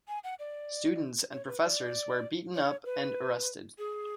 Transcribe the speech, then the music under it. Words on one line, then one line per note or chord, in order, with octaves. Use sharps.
Students and professors were beaten up and arrested.
G#5
F#5
D5
C#5
B4
D5
C#5
B4
G#4